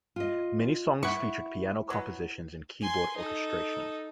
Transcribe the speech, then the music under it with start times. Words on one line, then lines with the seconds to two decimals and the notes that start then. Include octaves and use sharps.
Many songs featured piano compositions and keyboard orchestration.
0.16 F4 D#5
1.03 E4 F#5 C#6
1.90 F#3 B3
2.81 G#5 C6
3.16 D#4 A4